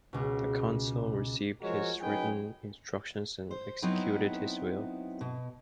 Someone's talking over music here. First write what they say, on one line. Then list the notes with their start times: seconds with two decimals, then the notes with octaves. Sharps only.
The council received his written instructions and executed his will.
0.13 C#2 B2
1.62 F3 G#3 F#4 A#4 C#5
2.01 F#2 D#4 G#4 B4 G5
3.51 C5
3.82 F#3 B3 C4 D#4 E4
5.21 B2